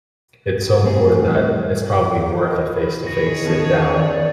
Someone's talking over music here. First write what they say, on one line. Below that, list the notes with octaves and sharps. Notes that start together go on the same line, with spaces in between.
it's so important that it's probably worth a face to face sit down
A2 G3 C4 G#4
D#5
F4 B5
D#3 G#4 C#5 A#6
B3 C#4 A4 A5
D5